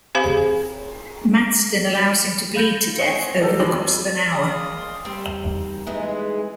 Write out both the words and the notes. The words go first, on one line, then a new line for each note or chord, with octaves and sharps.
Maddstone allows him to bleed to death over the course of an hour.
C4 G4 C5 F5 B5
F5 B5 G6 A6 A#6
C4 C#5 D#5 F#5 G#5
G4 A4 A#4 D5
D#2 D#3 G#3 B5 D6 F#7
F2
G#3 D5 D#5 F5 D#6
G3 C4
E3 G#3 B3 D#4